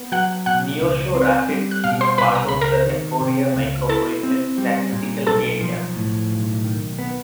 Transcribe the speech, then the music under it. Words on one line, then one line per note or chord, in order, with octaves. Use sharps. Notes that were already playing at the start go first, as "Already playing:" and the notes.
Neosho Rapids is part of the Emporia Micropolitan Statistical Area.
Already playing: B3
F#3 F#5 F#6
B2 F#5 F#6
C#2
C4
G3
F#6
B2 F5 F6
C5 C6
C2 B4 B5
A#5
C#2 B5
A#4 A#5
D#3
C3
C#2
E4 A4 A5
C4
G3
A#2
B1 A4 A5
F3
A2
B1
D#3
B3